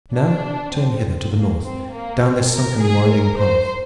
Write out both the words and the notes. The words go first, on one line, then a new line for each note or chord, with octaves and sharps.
And now turn hither to the north, down this sunken winding path!
D4
C4
A#3
C4
A#3
C4
A#4
G#4
A#4
C5